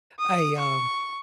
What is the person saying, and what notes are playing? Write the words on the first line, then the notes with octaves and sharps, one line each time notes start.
I, um,
D#6
C#6